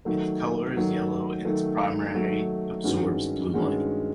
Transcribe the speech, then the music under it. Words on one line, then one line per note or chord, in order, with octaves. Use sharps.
Its color is yellow, and it primarily absorbs blue light.
D#3 F#3 A3
D#3 F#3 A3
D#3 F#3 A3
D#3 F#3 A3
G2 D#3 G#3 C#4 F#4
G2 D#3 G#3 C#4 F#4